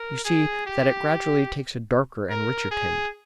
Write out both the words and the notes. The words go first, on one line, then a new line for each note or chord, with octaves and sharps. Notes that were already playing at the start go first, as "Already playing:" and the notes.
You see that it gradually takes a darker and richer tint.
Already playing: A#4
G#4
G4
A#4
G#4